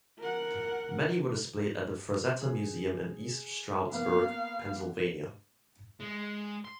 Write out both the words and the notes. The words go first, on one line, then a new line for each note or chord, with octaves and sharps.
Many were displayed at the Frazetta Museum in East Stroudsburg, Pennsylvania.
A#4 F#5
G#4
A#3 B3 F5
G#3
C6